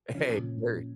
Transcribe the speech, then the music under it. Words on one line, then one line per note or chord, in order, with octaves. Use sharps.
Hey, mer
F3 C#4
A#2